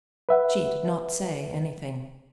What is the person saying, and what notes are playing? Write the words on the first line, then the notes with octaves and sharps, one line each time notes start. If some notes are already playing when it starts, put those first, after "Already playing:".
She did not say anything.
B4 E5 F#5